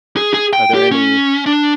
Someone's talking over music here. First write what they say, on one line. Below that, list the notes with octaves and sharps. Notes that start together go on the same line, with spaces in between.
Are there any
G#4
G#4
G5
G4
C#4
D4